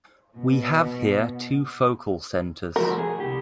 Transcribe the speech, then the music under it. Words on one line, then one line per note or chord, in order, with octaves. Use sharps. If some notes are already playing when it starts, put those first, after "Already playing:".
We have here two focal centers.
B2
F3 A3 F#4 A#4
G#4
C2 G4